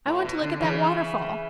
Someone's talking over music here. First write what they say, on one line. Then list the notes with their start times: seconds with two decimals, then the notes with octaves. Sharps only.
I want to look at that waterfall.
0.06 A2
0.25 B2
0.42 D3
0.60 C#3 E3